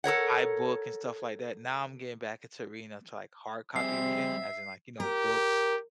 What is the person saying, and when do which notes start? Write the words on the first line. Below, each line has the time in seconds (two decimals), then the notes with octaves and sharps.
iBook and stuff like that, now I'm getting back into reading into, like, hard copy reading, as in, like, you know, books
0.04 A4 A#4 C#5 F#5
3.76 G3 C4 G#4 E5 C7
5.00 G4 A#4